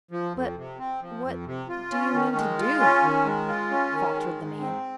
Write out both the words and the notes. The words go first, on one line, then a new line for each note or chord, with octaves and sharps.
"But what--do you mean--to do?" faltered the man.
F3
F2
C3
C4
F3
F2
C3
F4
C#4
D#3
G#3
F4
C#4
D#3
G#3
F4
C#4
D#3
G#3
G#2
C4